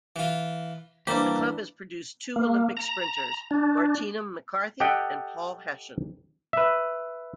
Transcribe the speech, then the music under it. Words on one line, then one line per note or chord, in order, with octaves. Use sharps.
The club has produced two Olympic sprinters, Martina McCarthy and Paul Hession.
E3 F4
E3 G3 A#3 D4 G4 C5
A#3
A#5
D4
G4 A4 D#5 F#5 G5
B4 E5